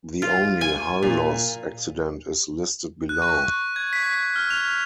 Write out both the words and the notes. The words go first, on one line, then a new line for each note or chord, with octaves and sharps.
The only hull-loss accident is listed below.
F4
G#5
A#2
F#6
C#6
G#6
B6
F6
F7